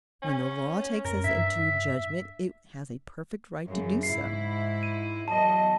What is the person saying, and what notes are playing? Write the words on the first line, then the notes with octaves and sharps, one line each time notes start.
When the Law takes us into judgment it has a perfect right to do so.
C#4
F#2 A#4
G2 E5
F#2 C#3
G#2 E4 C7
D#7
E2 F#3 D#5 A5